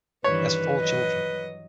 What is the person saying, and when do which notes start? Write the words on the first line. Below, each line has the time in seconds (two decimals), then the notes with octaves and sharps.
He has four children.
0.24 G2 D#3 E3 B4 C#5
0.78 F#3 D#5